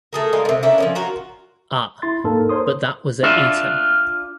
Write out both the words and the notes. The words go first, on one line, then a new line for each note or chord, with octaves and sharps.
Ah, but that was at Eton.
A3 G#4 A#4
G3 G#3 A#3 G#4
C3 D#3
A#3 C#4 D4 E4
F3 B3 C#4
F4 F#4 A#4
E4 C6 A6
G#2 A#3 D#4 A4 A#4 A5
A#4 C5 C#5 C6 D#6
D4 F4 E5